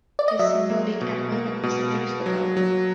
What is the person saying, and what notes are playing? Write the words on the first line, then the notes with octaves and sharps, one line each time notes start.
His symbolic animal and messenger is the dove.
D5
D#5
F#3 E5
A#3
B2
A#3
B2
A#3
F#3
F#3